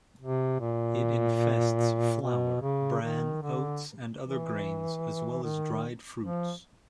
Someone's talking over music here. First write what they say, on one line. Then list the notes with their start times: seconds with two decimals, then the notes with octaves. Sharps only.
It infests flour, bran, oats, and other grains, as well as dried fruits.
0.21 C3
0.60 A#2
2.21 B2
2.61 C#3
3.02 D#3
3.42 D3
4.22 E3
5.43 D#3
6.23 F3